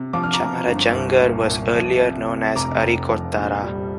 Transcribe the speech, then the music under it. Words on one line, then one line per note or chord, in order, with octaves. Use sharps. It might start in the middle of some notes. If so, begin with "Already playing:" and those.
Chamarajanagar was earlier known as Arikottara.
Already playing: C3
F3 D6
F6
A#5 D6
F3
G1
C2
A#2
C2
F3
C3
C3
F1 A#5 D6
F1
F3
A#1
G3